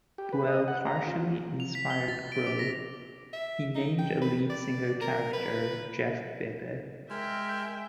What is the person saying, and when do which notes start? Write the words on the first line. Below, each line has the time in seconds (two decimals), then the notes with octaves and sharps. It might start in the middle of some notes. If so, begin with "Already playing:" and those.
Buell partially inspired Crowe; he named a lead singer character Jeff Bebe.
0.18 G4
0.33 B4
0.47 D#5
0.68 F#5
0.86 A#5
1.07 F4
1.60 F7
1.75 B6
1.90 G7
2.08 A6
2.32 D7
2.47 D6
2.59 A#6
3.33 E5
3.75 D#4
3.99 G5
4.21 B4
4.50 D5
5.02 A#4
5.33 B4
7.10 G#3 A#4 E5 G5